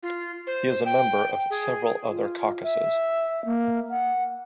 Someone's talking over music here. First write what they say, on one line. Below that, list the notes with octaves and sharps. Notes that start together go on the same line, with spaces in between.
He is a member of several other caucuses.
F4
C5
G5
G#4
F4
E5
A#3
F#5